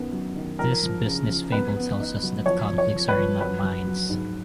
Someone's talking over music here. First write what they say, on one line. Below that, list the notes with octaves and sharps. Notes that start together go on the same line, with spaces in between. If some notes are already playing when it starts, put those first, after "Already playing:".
This business fable tells us that conflicts are in our minds.
Already playing: F#2 D#3 B3
F#3
D#3
F3 A#4
F3
C#3
F3
B3 B4
B3
D#4
F#3
F3 C#5
F3
C#5
F3
B4
F3
F#3 B4
F#3
F#3
G#2